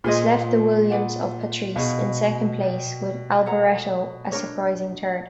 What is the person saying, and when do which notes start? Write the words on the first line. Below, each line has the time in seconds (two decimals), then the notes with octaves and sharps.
This left the Williams of Patrese in second place with Alboreto a surprising third.
0.04 A#2 F4 G#4 C5 D#5
0.90 G#4 B4 D5 F#5
1.75 B2 D#4 G#4 C#5 F5
2.61 A#4 D5 G5
3.46 A4 C#5 F#5 A#5
4.32 D4 F#4 A#4 C#5